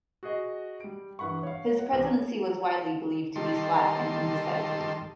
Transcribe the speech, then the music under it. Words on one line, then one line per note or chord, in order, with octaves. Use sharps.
His presidency was widely believed to be slack and indecisive.
F#4 G#4 D#5
G3 D7
G2 E3 F#5 B5 C#6
C#5 F5
F#5
C2 E3 C5
D#3 G3 A4 C6